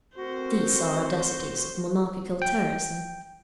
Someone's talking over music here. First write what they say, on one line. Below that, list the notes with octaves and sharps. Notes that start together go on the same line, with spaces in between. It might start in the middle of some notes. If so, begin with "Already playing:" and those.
These are audacities of monarchical terrorism.
A3 C4 F#4 A#4 C5
G5